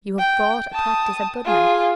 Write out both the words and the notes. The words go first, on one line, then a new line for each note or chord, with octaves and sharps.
You have bought a practice at Budmouth.
G5
A5 D#6
F4 G#4